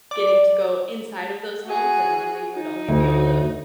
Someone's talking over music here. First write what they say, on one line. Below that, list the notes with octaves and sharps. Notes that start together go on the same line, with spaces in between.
Getting to go inside of those homes that normally you would only be able to
D5
F#4 G#4
D#4
D2